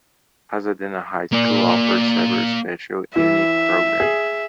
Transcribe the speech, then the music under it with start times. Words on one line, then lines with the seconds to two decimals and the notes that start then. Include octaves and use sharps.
Pasadena High School offers several special unique programs.
1.33 A#3 D5
3.16 E3 E5
4.00 G#4